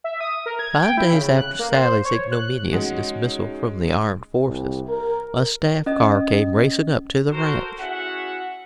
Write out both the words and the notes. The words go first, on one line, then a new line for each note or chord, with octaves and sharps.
Five days after Sally's ignominious dismissal from the armed forces, a staff car came racing up to the ranch.
E5
D#6
A#4
G#6
G5
E4
C#3
F#6
A#3
C5
C#5
F#6
G#3 C#4 D#4 F#4
C2
A#4
C#4 D#5
F#4 A4 A#4 C5
C#4 E4 F#4 G#4 E5 F#5